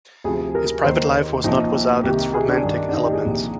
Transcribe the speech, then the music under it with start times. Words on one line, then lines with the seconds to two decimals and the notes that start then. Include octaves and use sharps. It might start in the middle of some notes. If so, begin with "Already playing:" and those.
His private life was not without its romantic elements.
0.24 D2 C3 F3 G#4
0.55 A#4
0.84 D#2 D#3 C5
1.44 C2 A#2 F3 D#4
2.03 C2 C3 D#3 G4
2.19 G4
2.34 G#4
2.49 D4
2.63 G2 D#3
2.89 D4
2.93 D#4
3.03 G4
3.13 G#4
3.24 C2 A#2 F3